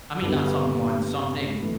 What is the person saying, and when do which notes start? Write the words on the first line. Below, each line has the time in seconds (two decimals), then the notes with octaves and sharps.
I mean not someone, something,
0.22 G2 D3 G3 B3
1.62 E3 A3